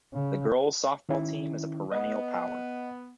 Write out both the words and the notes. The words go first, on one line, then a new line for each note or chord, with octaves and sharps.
The girls' softball team is a perennial power.
C#3
D#3 C#4 E4
B3 D#5